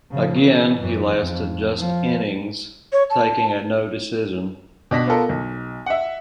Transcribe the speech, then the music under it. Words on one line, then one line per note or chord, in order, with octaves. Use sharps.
Again he lasted just innings, taking a no-decision.
C#3 F3
E3
F#2 E3
F2
F3
C#5
A5
B2 D4 A#6 B6
B3 F4 A4 A#4
B1
E5 F#5